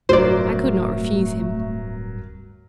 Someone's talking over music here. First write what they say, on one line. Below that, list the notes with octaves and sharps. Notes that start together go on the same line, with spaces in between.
I could not refuse him.
D1 G2 C3 F#3 A3 A#4 C5 D5